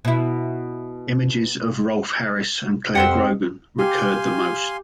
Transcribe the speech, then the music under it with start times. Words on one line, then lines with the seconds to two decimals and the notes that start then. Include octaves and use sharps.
Images of Rolf Harris and Clare Grogan recurred the most.
0.05 B2 E4
2.95 F2 C4 G4 F#5 C6 E6
3.79 G4 F5 G#5 C6